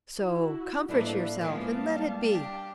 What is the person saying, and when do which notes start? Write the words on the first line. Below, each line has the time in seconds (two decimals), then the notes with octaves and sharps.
So comfort yourself, and let it be!
0.20 E4 F#4
0.88 A2 F3 G3 A#3 D4 E4 A4 B4
1.41 F3 G#3 A#3 B3 C#4 E4 F5 A5
1.81 G3 G#3
2.27 D4 G4